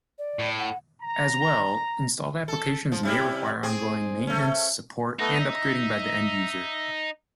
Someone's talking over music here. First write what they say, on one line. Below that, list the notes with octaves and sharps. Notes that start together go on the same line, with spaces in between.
As well, installed applications may require ongoing maintenance, support, and upgrading by the end-user.
D5
A2
F#5
A#5
A4
F3
C3 G3 E4
C4 G#4
A3 C#4
A3 B3 D#4
E5